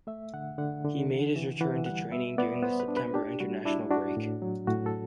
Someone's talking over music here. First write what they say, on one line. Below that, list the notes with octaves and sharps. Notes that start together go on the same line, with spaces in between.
He made his return to training during the September international break.
A3 E5
D3 F#5
D3 F#5
D3
E3
E3
E3 F#5
G3 F#5
B3 E5
B3 D5
B3 C5
B4
D4
B4
D4 G4
G3 F#4
D4 E4
D4 F#4
A2
F#3
A2 F#4
A4